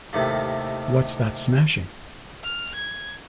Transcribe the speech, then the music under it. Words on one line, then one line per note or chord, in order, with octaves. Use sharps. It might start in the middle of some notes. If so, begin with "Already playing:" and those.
What's that smashing?
D#2 A2 C3 D#3 A3
F6
G#6